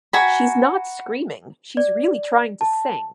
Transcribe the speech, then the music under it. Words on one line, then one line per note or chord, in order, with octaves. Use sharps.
She's not screaming, she's really trying to sing.
F#4 G#5 A#5 B5
D5
A5